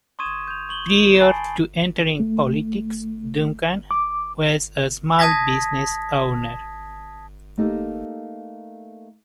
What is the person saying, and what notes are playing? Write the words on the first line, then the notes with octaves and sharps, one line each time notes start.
Prior to entering politics, Duncan was a small business owner.
C6 C#6 D#6 G#6 D#7 E7
G6 F7
C#6 F#7 G7
G#5 A5 B5 A6 C7 D7
A3
D6
A5 D#6 G#6 A#6 B6
A3 A#3 D#4 G4 A4